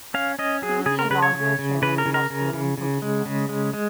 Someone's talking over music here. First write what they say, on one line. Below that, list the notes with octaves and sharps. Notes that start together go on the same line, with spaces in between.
He was the inaugural chairman of the Australian Coaching Council.
C#4 F5
C#4 D#5
F#3 G#4
C#3 G#4
A#4
C#3 B4
C#5
C#3
C#3
C#3 B4
A#4
C#3
A#4
C#3
C#3
C#3
G#3
C#3
G#3
G#3